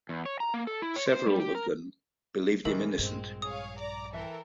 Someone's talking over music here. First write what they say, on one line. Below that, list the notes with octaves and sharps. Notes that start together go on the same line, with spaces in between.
Several of them believed him innocent.
E2
C#5
A#5
A#3
A4
E4
C#5
C5
G3
G4
A#4
D#2 A#2 D#3 E3 A#4
A#1 G2 G#3 C4
G#4 C#5 F5 D#6
D5 A#5 D6
E3 A4 A#4 E5 G5